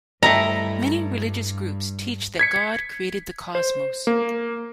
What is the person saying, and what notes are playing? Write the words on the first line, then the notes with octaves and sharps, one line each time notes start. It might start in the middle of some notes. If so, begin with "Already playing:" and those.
Many religious groups teach that God created the Cosmos.
G2 A3 E4 D#5 A#5
G#6 B6 C#7
C5
A#3